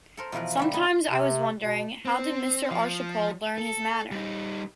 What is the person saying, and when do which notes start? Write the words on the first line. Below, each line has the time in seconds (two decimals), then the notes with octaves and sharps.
Sometimes I was wondering how did Mr Arshipald learn his manner.
0.17 A4 A#4 C5
0.32 B2 E3 F3 A#4 B4
0.57 D3 G3 E5
0.73 B3 D#4 B4
1.09 C3
1.60 B2
2.05 C4
2.72 F3
3.58 A4
4.11 G3 D#4